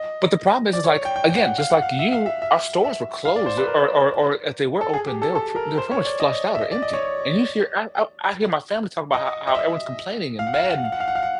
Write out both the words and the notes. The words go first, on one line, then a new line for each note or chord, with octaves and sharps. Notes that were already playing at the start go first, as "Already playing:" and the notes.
But the problem is, is, like, again, just like you, our stores were closed or or or if they were open, they were p they're pretty much flushed out or empty, and you hear, I I I hear my family talking about how how everyone's complaining and mad and
Already playing: D#5
D5
C#5
C#5
G5
G5
G5
F#5
F5
F#5
F5
E5
F5
E5
E5
E5
F5
D5
C5
B4
A#4
A4
G#4
G4
A4
A4
A#4
C5
C#5
D5
D#5
E5
D#5
D5
D#5
C#5
D#5
D#5
E5
F5
F#5
F5
F#5
F5
F#5
F5
F#5
F5
F#5
F5
F#5